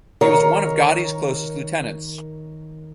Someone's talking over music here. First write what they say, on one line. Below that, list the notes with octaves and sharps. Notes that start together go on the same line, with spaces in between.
He was one of Gotti's closest lieutenants.
D#3 A#4 C#5